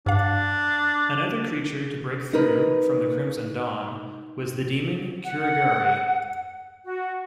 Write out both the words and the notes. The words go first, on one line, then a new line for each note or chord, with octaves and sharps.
Another creature to break through from the Crimson Dawn, was the demon Kuragari.
G2 D4 F5
D#4 A#4 B4
F#5
F#4